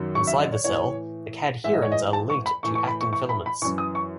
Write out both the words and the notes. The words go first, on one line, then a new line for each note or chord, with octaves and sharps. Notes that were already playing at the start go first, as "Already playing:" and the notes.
Inside the cell, the cadherins are linked to actin filaments.
Already playing: F#2 D#3 F#3
C#6
E5
D#5
C#5
A2 E3 C#5
G#2 E3 E5
D#5
C#5
D#5
A5
C#6
B5
A2 E3 C#6
C#6
B5
C#6
C#6
B5
B5
F#2 E3 C#6
D#6
C#6